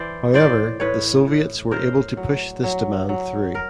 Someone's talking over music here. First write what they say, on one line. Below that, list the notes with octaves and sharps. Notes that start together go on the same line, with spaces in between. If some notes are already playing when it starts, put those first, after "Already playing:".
However, the Soviets were able to push this demand through.
Already playing: E3 C5 D5
A2 C5 D5
A2 B4 C#5
A2
A2 A#4 C5
F#3
F#3
F#3
A#4